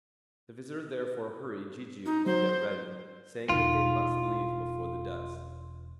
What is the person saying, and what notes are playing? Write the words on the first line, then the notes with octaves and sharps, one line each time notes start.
The visitor, therefore, hurried Jijiu to get ready, saying that they must leave before the dusk.
D#4
F#3 C5
E1 D#4 F4